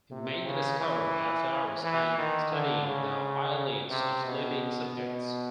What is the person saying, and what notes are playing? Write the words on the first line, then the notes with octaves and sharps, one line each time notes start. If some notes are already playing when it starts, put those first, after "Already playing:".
He made the discovery after hours spent studying the eyelids of sleeping subjects.
C3
C#3
E3
E3
D#3
D3
C#3
C3
B2
B2